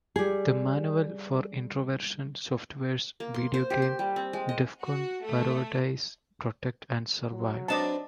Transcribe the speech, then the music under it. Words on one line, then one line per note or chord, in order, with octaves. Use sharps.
The manual for Introversion Software's video game "Defcon" parodies "Protect and Survive".
G3 G#4
A#3
C6
C5
G4
C6
G3
C4
G#3
D#5
F#4
A3
F#3
C4 D4 B4 D5 D#5 A5